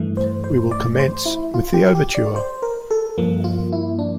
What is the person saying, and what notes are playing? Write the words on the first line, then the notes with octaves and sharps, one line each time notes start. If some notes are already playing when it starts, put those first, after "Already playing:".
We will commence with the overture.
Already playing: G2 E3 A3
C5
C5
D5
C5
E4
F4
G4
G4
D5
C5
A#4
A4
G2 F3 A#3
F4
E4
D4